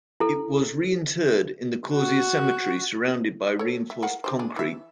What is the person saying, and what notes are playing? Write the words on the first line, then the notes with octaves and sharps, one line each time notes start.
It was re-interred in the Corsier cemetery surrounded by reinforced concrete.
E4 A4
F#4
A4 C#5
E5
A#4 F5 F#5
D4 G4 C5
D4 G#4
E3 E5